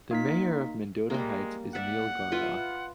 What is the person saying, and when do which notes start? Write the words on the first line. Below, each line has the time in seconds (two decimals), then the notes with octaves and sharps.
The mayor of Mendota Heights is Neil Garlock.
0.11 A#3 D#4 B6
1.10 G3 G#3 A#3
1.75 D5 E5 F#5
2.32 F4 B4 E5